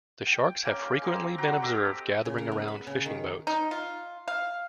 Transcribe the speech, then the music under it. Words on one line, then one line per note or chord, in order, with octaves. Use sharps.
The sharks have frequently been observed gathering around fishing boats.
G5
A#3 C#4 G5
G#3 A#3 C4
F#4 F#5 G5 A#5
D4 G4 A4 D#5
C#3
A#3
B3
B5
C#3
D#3
D#4
F4
F5